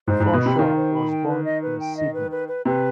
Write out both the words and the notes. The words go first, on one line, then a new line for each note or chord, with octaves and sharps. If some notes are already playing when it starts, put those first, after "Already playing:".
Forshaw was born in Sydney.
G#2 C5
G#2 B5
B2
C3 B5
D#3 F4
C5
B5
G5
B4
D#5
B4
G5
D#5
B4
B4
B4
C3 B4